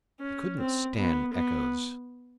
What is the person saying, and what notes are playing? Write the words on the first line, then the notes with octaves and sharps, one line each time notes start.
He couldn't stand echoes.
C#4
C4
B3
B3